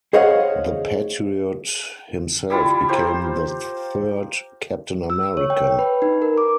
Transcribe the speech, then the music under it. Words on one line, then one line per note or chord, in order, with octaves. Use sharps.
The Patriot himself became the third Captain America.
G#4 C5 C#5 D#5 F5 F#5
G3 E4 F4 G#5
F4 G4 A#4 C5
E6
C#5
G5
B4
D#4
A#4
D6